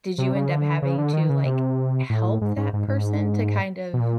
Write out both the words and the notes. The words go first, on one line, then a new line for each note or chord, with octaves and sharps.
did you end up having to, like, help that person to kind of
C3
C#3
D3
C#3
D3
D#3
C#3
C3
A2
G#2
G#2
G#2
G#2
B2
A#2